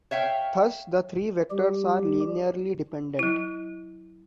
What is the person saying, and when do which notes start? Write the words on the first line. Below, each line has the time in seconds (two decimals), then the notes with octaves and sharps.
Thus, the three vectors are linearly dependent.
0.11 C#5 E5 F5 G5
1.51 G3 G4
3.19 F#3 E4